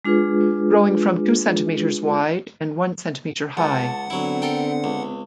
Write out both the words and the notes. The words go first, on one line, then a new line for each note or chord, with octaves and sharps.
Growing from two centimetres wide and one centimetre high.
G#3 D4 F4 G#4 B4
C#2 F#5 A5
D3 F#3 B3 C4 E4
A4 A#4 G5
C#2